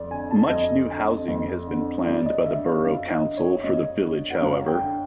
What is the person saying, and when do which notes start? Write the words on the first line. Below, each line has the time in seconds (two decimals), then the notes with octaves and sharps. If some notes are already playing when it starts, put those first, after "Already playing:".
Much new housing has been planned by the borough council for the village however.
Already playing: F2 D5
0.11 D3 G#5
0.31 A5
0.50 F2 D#5
0.89 D3
1.28 F2
1.67 D3
2.07 F#2 D5
2.26 D#5
2.46 D3 E5
2.65 F5
2.85 F#2 F5
3.11 D#5
3.24 D3
3.37 C#5
3.63 F#2 D#5
4.03 D3
4.30 F#5
4.41 F#2 F5
4.68 G5
4.81 D3